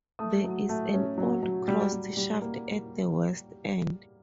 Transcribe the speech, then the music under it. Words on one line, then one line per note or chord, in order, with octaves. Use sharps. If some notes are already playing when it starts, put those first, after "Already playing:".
There is an old cross shaft at the west end.
A3 D#6
F#3
A3
C#4
F#3
F#3
G3
G3
G3
A#3